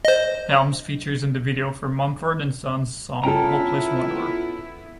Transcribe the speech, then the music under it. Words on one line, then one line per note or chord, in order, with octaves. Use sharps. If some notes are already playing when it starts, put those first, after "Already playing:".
Helms features in the video for Mumford and Sons' song "Hopeless Wanderer".
C5 D#5
B3 C#4 E4 F4 A4 G5 A#5